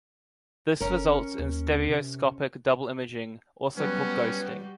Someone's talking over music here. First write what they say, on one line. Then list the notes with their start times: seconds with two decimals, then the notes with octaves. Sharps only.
This results in stereoscopic double imaging, also called ghosting.
0.80 F#1 C#4 A#4
1.39 D#2
1.88 C3
3.77 F#3 G3 B3 C#4 F#4 G4 B4